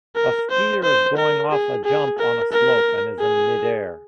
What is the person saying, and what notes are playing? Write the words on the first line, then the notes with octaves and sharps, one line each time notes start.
A skier is going off a jump on a slope, and is in midair.
A#4
C5
C5
A#4
G#4
G#4
A#4
A#4
G#4